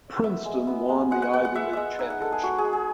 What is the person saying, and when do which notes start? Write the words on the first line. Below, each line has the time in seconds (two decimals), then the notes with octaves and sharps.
Princeton won the Ivy League championship.
0.24 B3 E5
0.45 G#3
0.67 B3
0.89 G#3
1.11 G#3 F#5
1.22 F#5
1.33 B3 F#5
1.45 F#5
1.55 G#3 E5
1.73 G#3 D#5 E5
1.99 D#4 E5
2.10 F#5
2.21 G#3 A4
2.32 G#4
2.43 G#3 F#4
2.58 G#4
2.64 G#3
2.73 G#4